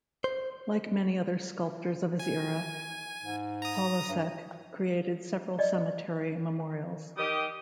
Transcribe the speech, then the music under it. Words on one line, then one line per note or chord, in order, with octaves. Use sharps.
Like many other sculptors of his era, Polasek created several cemetery memorials.
C5
G#5
G#2
A#5 D#6
G2
D5 D#5
D#3 G4 D#6